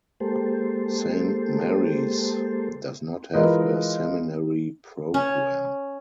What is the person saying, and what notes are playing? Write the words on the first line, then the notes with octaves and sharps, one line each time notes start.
Saint Mary's does not have a seminary program.
G#3 A#3 G4 A4 C5
E3 G#3 F4 A#4 B4 D#5
C#4